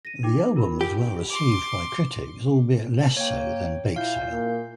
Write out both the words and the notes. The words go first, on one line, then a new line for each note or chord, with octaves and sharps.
The album was well received by critics, albeit less so than "Bakesale".
A#6 D#7
D#4 G5 D6
F4 A#4 B5
G4
C6 D6
A#3 C#5 G5
A#2 E4 F5 G6
A#3